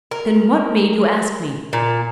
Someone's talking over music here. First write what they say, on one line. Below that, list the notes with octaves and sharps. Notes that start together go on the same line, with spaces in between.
Then what made you ask me?
A#4
A#2